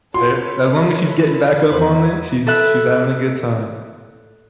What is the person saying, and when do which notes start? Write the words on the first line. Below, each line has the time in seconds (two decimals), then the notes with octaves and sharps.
Eh as long as she's getting back up on it, she's she's having a good time.
0.14 F4 F#4 A4 B4 C#5 C6
1.70 E2 B3 F#4 B4 C5 B5
2.47 A4 B4 E5 F#6